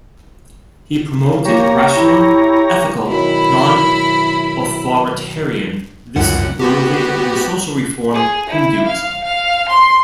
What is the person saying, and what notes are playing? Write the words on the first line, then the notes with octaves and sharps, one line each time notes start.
He promoted a rational, ethical, non-authoritarian, this-worldly, and social-reform Hinduism.
C#3
A#3 G4 C#5 A#5
E4
B2 D#3 F#3 E4 B5
C#2 F#2 F#5
B3 F#4 G4
G#4
E4
F5
F5
C6